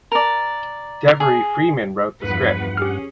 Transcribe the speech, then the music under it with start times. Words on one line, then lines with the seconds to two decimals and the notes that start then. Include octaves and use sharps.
Devery Freeman wrote the script.
0.12 A#4 D5
1.20 G#4
2.24 E2 G2 F3 B4 F#5
2.77 C#4 G4 G#4 F6